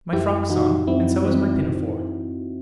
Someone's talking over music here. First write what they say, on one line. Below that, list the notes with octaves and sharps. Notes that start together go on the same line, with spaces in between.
"My frock's on, and so is my pinafore."
F#2 E4 G4
E3 D#4 F#4
F#2 C4 E4
E3 C4